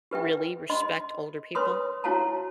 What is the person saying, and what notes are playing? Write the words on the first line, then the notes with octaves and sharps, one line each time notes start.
really respect older people
G4 B4 E5 G5
D#5 C6
B4 C#5 C6 D#6
E4 F#4 C#5 F5 A5 A#5